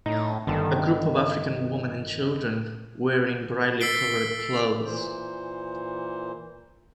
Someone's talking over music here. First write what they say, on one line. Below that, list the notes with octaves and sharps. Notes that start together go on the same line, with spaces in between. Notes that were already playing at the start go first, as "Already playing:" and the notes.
A group of African women and children wearing brightly colored clothes.
A2 D#4 A#5
G1 D3 D#3 A5
E6 A6 B6 C7 D7 G7
A#2 E3 C5